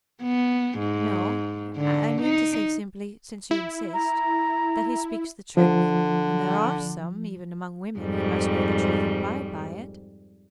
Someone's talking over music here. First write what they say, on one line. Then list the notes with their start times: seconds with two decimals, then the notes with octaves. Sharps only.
"No, I mean to say simply--since you insist--that he speaks the truth, and there are some--even among women--who must know the truth and abide by it."
0.22 B3
0.80 G#2
1.77 D3
2.22 D#4
3.51 E4
3.93 A#5
5.57 D3 F3
7.99 F2 G#2 G3